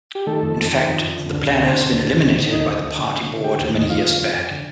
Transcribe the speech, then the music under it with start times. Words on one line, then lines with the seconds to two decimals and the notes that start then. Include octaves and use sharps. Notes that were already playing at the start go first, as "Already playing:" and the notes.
In fact, the plan has been eliminated by the party board many years back.
0.15 G4
0.26 D#3 A3 A4
0.42 F2
0.57 D#3
0.72 D#3
0.88 F2
1.02 F2
1.17 D3
1.33 D2
1.47 D2
1.62 D3 C4 C5
1.77 D3
1.92 D2
2.08 D2
2.23 D2
2.39 D#3
2.53 D2 D#4 D#5
2.69 D2
2.83 D2
2.98 D3
3.14 D3
3.29 D3
3.44 D3 G4 G5
3.59 D#2
3.74 D#2 D#5
3.89 F2 F4 F5
4.04 D3
4.20 F2
4.35 F2
4.50 D3